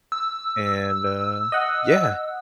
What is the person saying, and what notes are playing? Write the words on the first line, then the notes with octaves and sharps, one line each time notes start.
and, uh, yeah,
E6
D#5 F#5